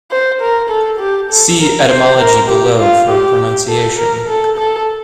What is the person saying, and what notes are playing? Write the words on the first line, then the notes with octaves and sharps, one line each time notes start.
See Etymology below for pronunciation.
C5
A#4
A4
G4
A4
A#4
C5
A#4
G4
F4
G4
A4
A#4
A4
A4